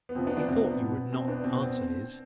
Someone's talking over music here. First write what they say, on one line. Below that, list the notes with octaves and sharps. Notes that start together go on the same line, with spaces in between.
He thought you would not answer his.
B3
C3 F3 C4
B3 D4
B3 D4
C3 F3 C4
B3
B2
B2 C4
B3 D4
B2 C4
B3
C4